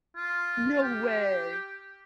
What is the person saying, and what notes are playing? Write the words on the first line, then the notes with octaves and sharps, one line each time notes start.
No way!
F4
G4